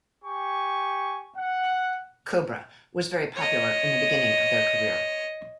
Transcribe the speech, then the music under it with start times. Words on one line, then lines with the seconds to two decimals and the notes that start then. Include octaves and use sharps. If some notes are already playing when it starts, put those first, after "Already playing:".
Cobra was very popular in the beginning of their career.
0.24 G4 G#5 C#6
1.37 F#5
3.36 C#5 D#5